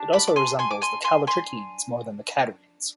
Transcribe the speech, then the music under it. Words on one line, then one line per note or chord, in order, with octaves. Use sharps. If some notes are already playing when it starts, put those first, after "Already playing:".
It also resembles the callitrichines more than the catarrhines.
Already playing: D4 G4
B5 D6
D6
G#5 C6
G#5 C6
D6
G#5 C6
G#5 C6
G#5 C6